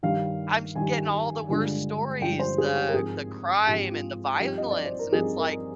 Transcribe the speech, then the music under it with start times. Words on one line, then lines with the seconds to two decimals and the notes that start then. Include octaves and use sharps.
I'm j getting all the worst stories, the the crime and the violence, and it's like,
0.03 G2 D#3 G3 F5
0.76 G2 D#3 G3 G#5
1.49 G2 D3 F3 G#3 D4
2.21 G2 D3 F3 G#3 D4 G5
2.39 C5
2.58 G#4
2.75 G4
2.88 A#4
2.94 G#2 F3 C4 G#4
3.67 G#2 F3 C4 G4
3.91 F4
4.40 G2 F3 C4 D#4 G4
4.58 D#5
4.71 D5
4.86 C5
4.99 A#4
5.12 G2 F3 C4 D#4 G#4
5.37 A#4